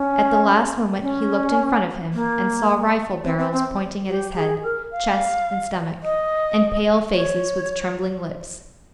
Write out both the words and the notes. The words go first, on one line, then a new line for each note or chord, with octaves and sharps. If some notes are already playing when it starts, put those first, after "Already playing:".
At the last moment he looked in front of him and saw rifle barrels pointing at his head, chest and stomach, and pale faces with trembling lips.
Already playing: C#4
C#4
A#3
C4
C4
C4
G4
G#4
A#4
F5
D#5
C#5